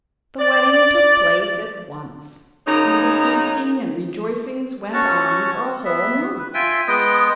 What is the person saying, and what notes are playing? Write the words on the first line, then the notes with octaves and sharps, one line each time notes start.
The wedding took place at once, and the feasting and rejoicings went on for a whole month.
D5
F#2 C#3 D#4
C#4 F#4 A5
B3 E5
B4
F4 E5 G5 G#5
G#3 B3 D#5 G5